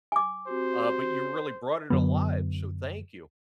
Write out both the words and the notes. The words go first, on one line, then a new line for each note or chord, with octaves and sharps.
uh, but you really brought it alive, so thank you.
G#5 D6
C4 F#4 G4 C5
F#2 D3 F#3 B3